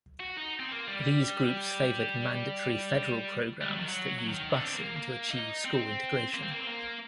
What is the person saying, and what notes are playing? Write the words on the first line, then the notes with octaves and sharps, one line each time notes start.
These groups favored mandatory federal programs that used busing to achieve school integration.
F#4
D#4
C4
A#3
G3
G3
F#3
D#3
F#3
F#3
D#3
D3
C4
A#3
A#3
D#4
C4
A#3
C4
A#3
C4
A#3